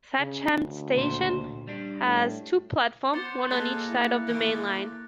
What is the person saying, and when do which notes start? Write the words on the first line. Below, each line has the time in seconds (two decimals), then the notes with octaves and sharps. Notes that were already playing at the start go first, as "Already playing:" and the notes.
Thatcham station has two platforms, one on each side of the main line.
0.19 C#3
0.55 D2
0.95 C#2 A#2 C5
1.68 G3 D4
2.06 A2
3.13 B3 C5 D6 A6 C#7
3.51 G3 A#3 G#4 A4 F#6 A#6
3.87 E4
4.27 C3 D#3 A3